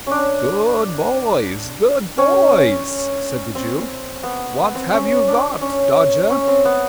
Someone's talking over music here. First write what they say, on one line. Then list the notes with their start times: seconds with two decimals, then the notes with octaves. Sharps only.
'Good boys, good boys!' said the Jew. 'What have you got, Dodger?'
0.07 C#4 D4
2.18 C#4
3.55 C4
4.23 B3
4.58 B3
4.75 C4
4.93 C#4
5.28 D4
5.61 C#4
6.30 C#4
6.47 C4
6.65 B3